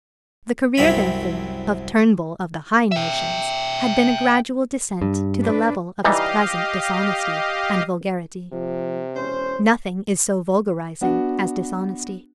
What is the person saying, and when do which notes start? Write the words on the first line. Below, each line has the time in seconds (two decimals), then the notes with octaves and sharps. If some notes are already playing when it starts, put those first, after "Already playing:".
The career, therefore, of Turnbull of the high notions had been a gradual descent to the level of his present dishonesty and vulgarity; nothing is so vulgarizing as dishonesty.
0.77 C2 F#2 C4 E4 C#5 B5
2.92 E5 G5
5.02 G2
5.39 A2 D4 B4
6.04 E3 G3 D#4 G4 D#5 F5
8.53 C3 F3
9.15 E1 C#4 C5
11.01 B3 D4 F#4